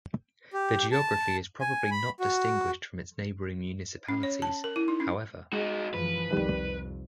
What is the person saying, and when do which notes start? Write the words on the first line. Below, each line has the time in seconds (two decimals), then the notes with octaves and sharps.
The geography is probably not distinguished from its neighbouring municipalities however.
0.53 G4
0.92 A5
1.61 G#5
1.91 B5
2.20 F#4
4.08 C#4
4.23 C#5
4.42 A5
4.64 A#4
4.76 E4
4.88 D#4
5.00 C#4
5.53 G#3 D#4 F#4
5.94 F#2 E3 F3 B4
6.30 C2 F2 D#3 G3